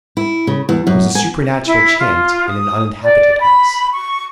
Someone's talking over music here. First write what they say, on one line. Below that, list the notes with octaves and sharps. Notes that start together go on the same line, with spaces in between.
It was a supernatural chant in an uninhabited house.
E4
C#3
E2
F#2
G#5
E4
F4
D#6
D5
B5
C#6